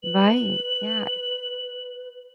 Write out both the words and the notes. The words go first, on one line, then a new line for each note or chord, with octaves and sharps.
Right, yeah,
B4 F#7